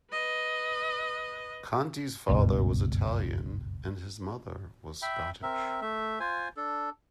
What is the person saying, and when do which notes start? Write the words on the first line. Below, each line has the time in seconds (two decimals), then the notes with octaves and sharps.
Conti's father was Italian and his mother was Scottish.
0.11 B4 D#5
2.29 F#1 C#2 G2 B2
5.02 E5 G5 B5
5.43 C4 A#4 E5
5.81 A3 E5
6.20 F4 C5 G#5
6.57 D4 A4